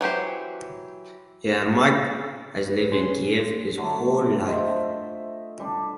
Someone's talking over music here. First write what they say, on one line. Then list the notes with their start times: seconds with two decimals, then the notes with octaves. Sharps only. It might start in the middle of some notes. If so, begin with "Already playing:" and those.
Yermak has lived in Kyiv his whole life.
0.01 E3 F#3 G4 C5
2.63 B4
2.91 A#2 C#4 C6
3.77 D3 F#3 A3
4.48 F4 C5 D#5 E5
5.60 G3 D4